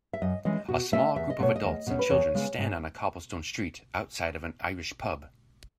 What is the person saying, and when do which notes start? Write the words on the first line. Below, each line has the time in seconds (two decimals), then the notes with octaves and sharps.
A small group of adults and children stand on a cobblestone street outside of an Irish pub.
0.13 E5
0.22 F#2 D#5
0.45 E3 G#3 C#4 D#5
0.68 B2 F#4
0.92 A3 C#4 E5
1.16 E2 E5
1.30 D#5
1.40 B2 A3 C#5
1.56 D#5
1.64 E2
1.87 B2 A3 C#4
1.99 B4
2.10 E2 C#5
2.34 C#3 G#3 B3
2.58 G#2